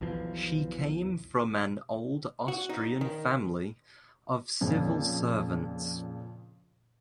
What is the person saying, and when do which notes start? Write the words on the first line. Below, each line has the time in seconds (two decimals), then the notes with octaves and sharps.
She came from an old Austrian family of civil servants.
0.01 B1 E2 E3 F3
2.48 F#4
2.69 D#4
3.01 D#3
4.61 F2 A#2 C#3